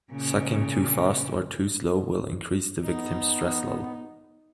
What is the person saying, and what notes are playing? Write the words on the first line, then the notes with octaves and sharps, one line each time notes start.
Sucking too fast or too slow will increase the victim's stress level.
A#2 C#3
B3 D#4